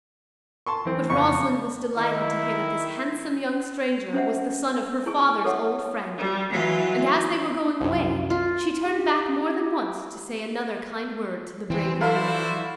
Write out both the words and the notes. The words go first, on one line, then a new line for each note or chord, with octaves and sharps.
But Rosalind was delighted to hear that this handsome young stranger was the son of her father's old friend, and as they were going away, she turned back more than once to say another kind word to the brave young man.
A5 C6 C#6
E3 C4
F2 C#3 B3 C#6
D#3 E4
C#4 D4 C5 E5 F#5
E4 G#4 G#5 C#6
A4 C#5 E5 F#5 A5
G3
E3 F#3 F4
C2 F#2
F4
G4
E3 C4
E4 F#4 A4 C5 D5 F5 B5